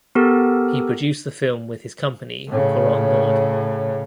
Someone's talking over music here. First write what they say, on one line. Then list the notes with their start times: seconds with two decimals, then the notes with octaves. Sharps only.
He produced the film with his company Couronne Nord.
0.15 B3 G4 A4 A#4
2.48 A2 C#3